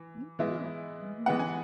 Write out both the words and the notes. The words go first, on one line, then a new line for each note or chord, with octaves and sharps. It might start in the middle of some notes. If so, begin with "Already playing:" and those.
Me too. Mhm.
Already playing: E3
E3 G#3 B3 E4
E3 G#3 B3 F#5
G#5